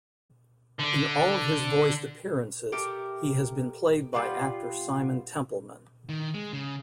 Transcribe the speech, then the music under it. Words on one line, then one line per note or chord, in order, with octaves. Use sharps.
In all of his voiced appearances, he has been played by actor Simon Templeman.
D3 D4
G4 A4 A#4 E5
G3 B3 F4 B4
D#3
G#3
C#3